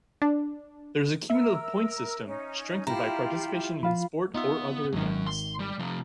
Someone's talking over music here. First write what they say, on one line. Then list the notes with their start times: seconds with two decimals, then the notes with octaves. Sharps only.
There is a cumulative points system, strengthened by participation in sport or other events.
0.22 D4
1.30 A#4 E5 E6
2.27 C#4 D#4
2.87 E4 F4 G4 A#5
3.83 F3 F4 F5 B5
4.34 B3 D#4 F4 E5
4.93 G#1 D#3 F#3 C#4
5.27 C6
5.59 G3
5.79 C3 F3